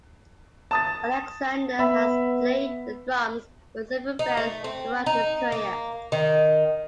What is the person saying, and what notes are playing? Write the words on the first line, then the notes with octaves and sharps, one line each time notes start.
Alexander has played the drums for several bands throughout his career.
A5 D#6 A6
B3 E5 B5
D#4
A3
C4
D#4
A#3
D#3